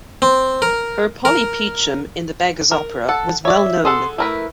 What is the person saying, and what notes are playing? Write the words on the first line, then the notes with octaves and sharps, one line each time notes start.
Her Polly Peachum in "The Beggar's Opera" was well known.
C4
A#4
A#4
A#4
A4 F#5 A5
C#5 D5 E5
G#4 A4 F#5 C6
A3 E4 A#4 B4